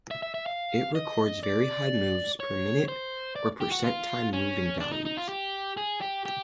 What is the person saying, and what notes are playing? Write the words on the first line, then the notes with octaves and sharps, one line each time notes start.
It records very high moves per minute or percent time moving values.
E5
E5
E5
F5
D#5
D5
C#5
C5
D5
G4
F#4
F4
C#4
D4
D#4
D#4
F4
G4
G#4
G4
G4